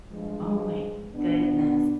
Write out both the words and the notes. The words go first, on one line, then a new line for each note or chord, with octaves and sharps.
Oh my goodness.
G2 F3 G#3
B2 B3 D4